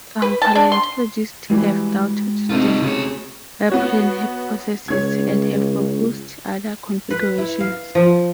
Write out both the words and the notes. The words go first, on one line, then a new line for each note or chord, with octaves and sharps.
Some paleontologists have doubted the biplane hypothesis, and have proposed other configurations.
B4
A5
D4
C6
E3 G3 G#3 F#4
C3 A3 C4 D#4 F4
C#2 C#4 F#4 G#4 C#5
B3 F#4 C#5
C#2 C#5 G#6
B4
E4
F5
F3